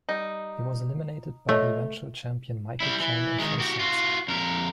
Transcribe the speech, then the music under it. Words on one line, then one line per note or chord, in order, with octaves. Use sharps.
He was eliminated by the eventual champion Michael Chang in four sets.
G3 D#4
A3 F4 C#5 D#5
G3 E4
E3
D#3 G#3
F#4 G4
F4 F#4
F2 A#4